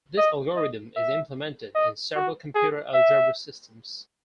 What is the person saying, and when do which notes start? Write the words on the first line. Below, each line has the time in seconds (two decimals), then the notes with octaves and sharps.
This algorithm is implemented in several computer algebra systems.
0.18 D#5
0.56 D#5
0.96 E5
1.75 D#5
2.15 F#4
2.55 G#4
2.94 E5